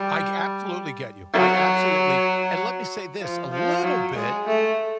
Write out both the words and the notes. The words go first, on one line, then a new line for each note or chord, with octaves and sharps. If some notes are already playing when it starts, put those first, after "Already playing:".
I ge I absolutely get you I absolutely and let me say this a little bit
Already playing: G3
F#3
F3
F3
F#3
G#3
A3